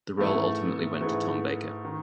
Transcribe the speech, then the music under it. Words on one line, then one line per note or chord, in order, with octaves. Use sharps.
The role ultimately went to Tom Baker.
G#2 E3 A3
G#2 E3 A3
D#3